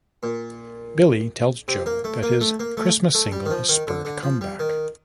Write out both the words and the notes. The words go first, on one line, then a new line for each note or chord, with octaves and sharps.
Billy tells Joe that his Christmas single has spurred a comeback.
A#2
C3
A#3
A3
A#3
A3
A#3
A3
A3
G3
D#3
F3
D#3
D3
D3
F3
G3
D#3